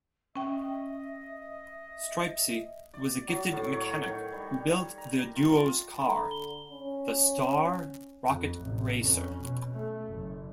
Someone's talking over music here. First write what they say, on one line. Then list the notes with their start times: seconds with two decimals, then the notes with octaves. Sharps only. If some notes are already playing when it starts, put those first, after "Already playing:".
Stripesy was a gifted mechanic who built the duo's car, the Star Rocket Racer.
0.36 C#4 D#5 E5 G5
2.94 D5
3.28 F#3
3.52 A2
3.73 C#5
4.08 D#3
4.32 G3
4.98 A#5
5.36 F4
6.00 D3 A#5 B5
6.31 G7
6.72 C#4
8.27 F2
8.59 A1 C3
9.00 F2 C#4
9.40 B2
9.73 A3
10.05 F#1